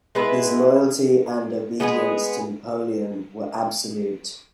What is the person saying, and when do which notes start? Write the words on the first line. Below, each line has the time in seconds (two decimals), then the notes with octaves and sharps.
His loyalty and obedience to Napoleon were absolute.
0.15 G#3 B3 E4 B4
1.80 G#3 B3 E4 G#4